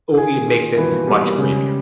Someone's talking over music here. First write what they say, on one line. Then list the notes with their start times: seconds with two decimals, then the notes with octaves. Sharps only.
ooh it makes it much creamier.
0.12 E3
0.17 D#3 G#4
0.47 A#2 G#4
0.77 B2 E3
0.93 A#3
1.07 G3 B3
1.23 A#3
1.38 C#3 G#3